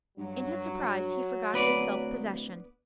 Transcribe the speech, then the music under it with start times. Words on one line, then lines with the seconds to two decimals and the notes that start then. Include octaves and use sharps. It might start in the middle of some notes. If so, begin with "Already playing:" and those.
In his surprise he forgot his self-possession.
0.18 G2 F#3
1.54 D1 B3 B4 D5